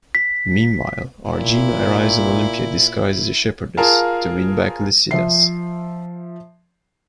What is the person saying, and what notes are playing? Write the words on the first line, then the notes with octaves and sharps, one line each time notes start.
Meanwhile, Argene arrives in Olympia disguised as a shepherdess, to win back Lycidas.
B6
A#2 E4
F4 G#4 A#4 F5 A5
F3 E5 C7